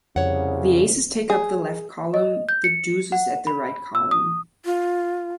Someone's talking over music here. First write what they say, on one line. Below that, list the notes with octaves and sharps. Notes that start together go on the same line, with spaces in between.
The Aces take up the left column, the deuces at the right column.
C2 F2 C#3 C#5 F#5
G#4
D#5
G6
C#7
F#5
B5
E6
D#6
F4